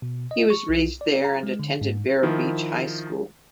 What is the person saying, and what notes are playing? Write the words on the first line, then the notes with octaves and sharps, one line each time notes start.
He was raised there and attended Vero Beach High School.
B2
D#5
C#6
B1
D5
A#5
G#3
D3
G#2
D#3 F3 E4